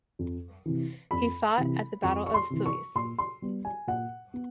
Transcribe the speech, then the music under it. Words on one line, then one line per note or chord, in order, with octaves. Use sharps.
He fought at the Battle of Sluys.
F2
C3 E3
F2 B5
C3 E3
F2 C#6
C#6
C6
C3 E3
C#6
A#2 C6
C6
G3 B3
G#5
A#2 F#5
B3